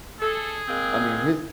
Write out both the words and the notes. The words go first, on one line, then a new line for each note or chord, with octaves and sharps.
I mean, his
G#4 A4
G#3 A#3 C4